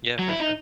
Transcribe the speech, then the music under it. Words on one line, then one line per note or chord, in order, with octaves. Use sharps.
Yeah, for sure.
F#3
E4
D#4